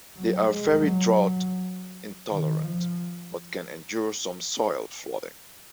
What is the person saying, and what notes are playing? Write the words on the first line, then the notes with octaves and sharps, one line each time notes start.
They are very drought intolerant, but can endure some soil flooding.
F#3
G#3
F#3
D#3
F3